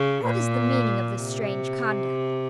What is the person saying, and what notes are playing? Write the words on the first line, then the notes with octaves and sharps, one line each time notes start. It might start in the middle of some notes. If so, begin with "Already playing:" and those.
What is the meaning of this strange conduct?
Already playing: C#3
A#2
C3